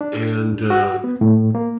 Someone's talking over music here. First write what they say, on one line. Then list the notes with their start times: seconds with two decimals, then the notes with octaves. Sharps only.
and, uh
0.01 D4
0.70 F#4
1.04 B3
1.21 A2
1.55 A#3